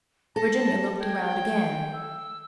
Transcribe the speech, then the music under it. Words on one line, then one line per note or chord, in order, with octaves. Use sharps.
Virginia looked around again.
A4 A5 A#6
G5 G#6
E6